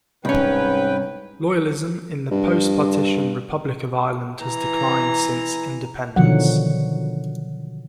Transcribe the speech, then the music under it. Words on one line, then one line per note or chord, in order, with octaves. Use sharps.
Loyalism in the post-partition Republic of Ireland has declined since independence.
C2 G#2 C#4 B4 G5
G2
E3 A#5
B2 D3 D#3 F3 F#3 F#5